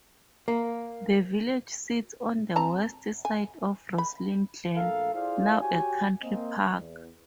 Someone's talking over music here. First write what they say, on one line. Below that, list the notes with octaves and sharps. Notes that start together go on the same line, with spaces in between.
The village sits on the west side of Roslin Glen, now a country park.
A#3
C4 A5 A#5
G#5
B5
A#1 A3 A4 A#4 F5
E4 F4 G#4 C5 D5 F5
F#4 G4 C#5 G5 G#5
A#3 C4 D#5
E2